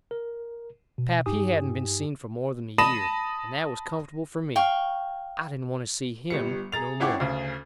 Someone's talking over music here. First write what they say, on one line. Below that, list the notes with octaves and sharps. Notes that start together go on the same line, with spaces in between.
Pap he hadn't been seen for more than a year, and that was comfortable for me; I didn't want to see him no more.
A#4
B2
G2 D#4 G4 G#5 D#6
A5 B5 D#6 A#6 D#7 E7
F5 G5 C#6
G1 G3 C#7
G#4 A#5 A6 F7
G#1 C#4 E4 F#5 G5 D6
D2 C#3